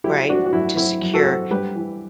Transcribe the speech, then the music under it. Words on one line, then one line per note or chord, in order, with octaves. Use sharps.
right, to secure,
F#3 E4 G4
C4 D4 F#4
F#4
F#2 E4
C4 E4
F#2
F#4 A4
C4
G2 G4 B4
E3